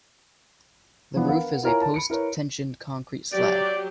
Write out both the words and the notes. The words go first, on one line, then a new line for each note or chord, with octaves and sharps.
The roof is a post-tensioned concrete slab.
E3 F3 B3 D4
A#4 B4 F5 F#5
E4 F4 A#4 C#5 G#5 A#5
A5
B5 C#7 D7
E4 A#4 B4 C#5
F#3 G4 D5